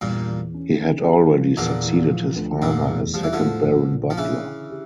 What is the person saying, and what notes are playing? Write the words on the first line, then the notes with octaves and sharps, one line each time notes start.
He had already succeeded his father as second Baron Butler.
E2 G2 A#2
E3
C#4
D3
G4
F3
E2 A#2 D3
E3
F3
D2
F1 A#2 D3
E2
F3 G3
E3
D3 F3
A2
A#1
A#2
F3
C#3 E3 D4
D3
G4